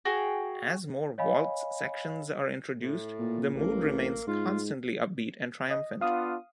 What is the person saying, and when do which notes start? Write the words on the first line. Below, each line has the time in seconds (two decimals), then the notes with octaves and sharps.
As more waltz sections are introduced, the mood remains constantly upbeat and triumphant.
0.05 F#4 G#4 G5
1.18 C#5 D#5 F5 G#5 B5
2.74 A2
3.19 A#2
3.54 A1 A#3
4.27 G#2 F4
5.70 D#5
6.01 B3 D4 F4 F5 D#6